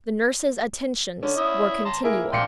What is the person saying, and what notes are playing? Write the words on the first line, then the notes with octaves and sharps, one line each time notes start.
The nurses' attentions were continual.
D3 C#4
E4 E5 D#6
A5 A#5 C6
A#3 E4 G#4 A#4
A#1 D4 F5 G5 C6 C#7